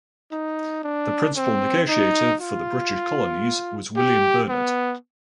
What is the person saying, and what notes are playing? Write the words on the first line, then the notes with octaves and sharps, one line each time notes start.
The principle negotiator for the British colonies was William Burnet.
D#4
D4
C4
D#4
F4
G4
B3